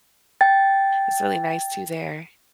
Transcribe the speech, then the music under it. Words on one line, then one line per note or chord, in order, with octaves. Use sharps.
It's really nice too there.
G5 A6